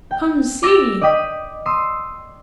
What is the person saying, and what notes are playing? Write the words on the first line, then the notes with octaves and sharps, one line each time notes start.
"Come, see!"
G5
D6 E6 A6 A#6
D5 D#5 G5 D#6 B6
C6 D#6 E6 C7